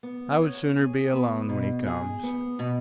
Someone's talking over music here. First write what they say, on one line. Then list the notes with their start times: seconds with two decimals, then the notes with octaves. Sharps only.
I would sooner be alone when he comes.
0.03 B3
0.40 C#5
0.76 G#4
1.13 B3
1.49 B2
1.87 G#4
2.23 B3
2.59 B2